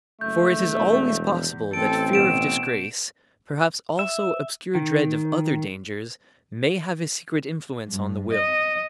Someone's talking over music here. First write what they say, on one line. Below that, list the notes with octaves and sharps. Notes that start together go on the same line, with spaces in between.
For it is always possible that fear of disgrace, perhaps also obscure dread of other dangers, may have a secret influence on the will.
F#1 A3 G6
E1 E2
A1 C4 A4 D7
B2 D7 E7
E5
D#3
G2
D#5